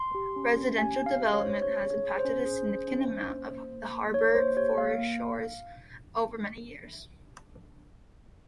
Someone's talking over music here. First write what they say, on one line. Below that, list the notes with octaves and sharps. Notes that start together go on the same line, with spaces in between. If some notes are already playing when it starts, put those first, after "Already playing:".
Residential development has impacted a significant amount of the harbour foreshores over many years.
Already playing: C6
G4
C#4
C#4
G4 G#5
C#4
F5
G4
C#5
G4 C5
C#5
C#4 C#5
G#4
C#5
G#4
C5
C#4
G#4
C#4
C#4
C#4
A#3
A#3
A#3
A#3
D#4 C#5
A#3 C5
G4 C#5
A#3 F5
A#3